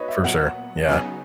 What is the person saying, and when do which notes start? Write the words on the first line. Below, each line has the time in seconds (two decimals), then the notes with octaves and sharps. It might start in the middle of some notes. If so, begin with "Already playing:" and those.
For sure. Yeah.
Already playing: B3 D#4 F#4 B4 C#5 D#5
0.08 E5
0.24 A#2 F#3 B3 F#5
0.89 C#3 F#3 B3 D#4 G#5